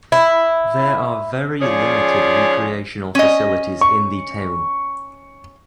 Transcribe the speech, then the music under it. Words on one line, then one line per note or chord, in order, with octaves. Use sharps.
There are very limited recreational facilities in the town.
E4
F3 C#4 G#4 C#5 D5
C#4 D#5
C#6